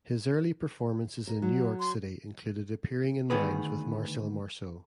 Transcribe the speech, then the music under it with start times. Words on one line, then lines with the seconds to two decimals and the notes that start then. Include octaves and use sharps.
His early performances in New York City included appearing in mimes with Marcel Marceau.
1.27 A#4
1.42 F#3
1.80 C6
3.30 D2 D#3 B3 G#4 B4